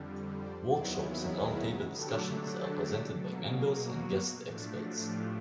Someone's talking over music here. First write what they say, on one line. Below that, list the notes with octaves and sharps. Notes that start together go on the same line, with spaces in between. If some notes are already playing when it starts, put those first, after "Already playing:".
Workshops and roundtable discussions are presented by members and guest experts.
Already playing: F2 D3 G3
C5 D5
D#2 D#3 F#3 B3 E4 C5 D5
G#4 A#4
G#4 A#4
D3 F#3 A3 D4 G4 A4
G4 A4
G4 A4
B2 F#3 A#3 A4 B4
G#4 A#4
F#4
A2 F3 A3 D4
F#4
F4 G4